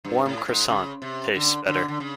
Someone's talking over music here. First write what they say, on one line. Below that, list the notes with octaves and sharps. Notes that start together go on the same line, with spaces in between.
Warm Croissant tastes better.
G2
A2
G#2
C#3
C3
D3
D3
D3
C#3